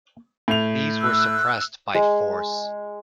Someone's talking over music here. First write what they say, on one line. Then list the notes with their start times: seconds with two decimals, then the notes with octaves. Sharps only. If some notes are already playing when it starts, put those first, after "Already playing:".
These were suppressed by force.
0.48 A2 F7
1.01 E6 F#6
1.95 G#3